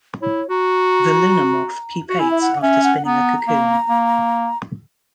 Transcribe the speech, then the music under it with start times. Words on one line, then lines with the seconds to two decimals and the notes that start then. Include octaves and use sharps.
The luna moth pupates after spinning a cocoon.
0.21 E4 C#5
0.49 F#4 A#5
2.09 F#4
2.19 E4 G#5
2.31 E5
2.41 F#5
2.62 C#4 E5
2.84 F#5
3.05 B3 A#5
3.48 A#3
3.89 A#3